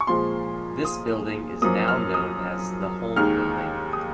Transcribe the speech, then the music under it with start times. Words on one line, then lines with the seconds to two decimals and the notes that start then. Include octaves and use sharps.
This building is now known as the Holme Building.
0.01 C#6
0.07 A#2 F3 G#3 C6
0.85 D#6
1.62 F#2 F3 A#3 D#6
1.88 F6
2.14 D#6
3.16 D#2 D#3 G#3 F6
3.93 D#6